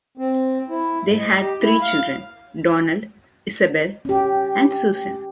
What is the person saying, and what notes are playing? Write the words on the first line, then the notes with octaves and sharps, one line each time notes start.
They had three children: Donald, Isabel and Susan.
C4
E4
G#2
D#5
G4
E4
F5
C#4 G4